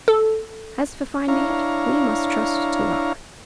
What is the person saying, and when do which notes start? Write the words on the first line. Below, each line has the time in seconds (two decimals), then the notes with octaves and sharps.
"As for finding it, we must trust to luck."
0.08 A4
1.28 D4 E4 C#5 F5 A#5